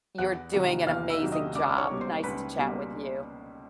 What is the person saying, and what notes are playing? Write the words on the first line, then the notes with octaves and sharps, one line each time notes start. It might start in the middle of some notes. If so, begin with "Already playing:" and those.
You're doing an amazing job, nice to chat with you.
E2 F#5 F#6
C3 D#3 F#3 A#3
E2 F5 F6
E5 E6
C3 D#3 F#3 A#3
D#5 D#6
C#2 D5 D6
C#5 C#6
B2 G3 A#3
C5 C6
C#2 B4 B5
B2 G3 A#3